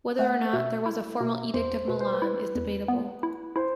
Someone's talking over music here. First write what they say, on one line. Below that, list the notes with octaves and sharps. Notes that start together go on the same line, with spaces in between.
Whether or not there was a formal 'Edict of Milan' is debatable.
A3 F#5
B2 E5
E4
B2
E2 C5
B2 B4
C5
B4
E4
E2
B3
E4
E4 C5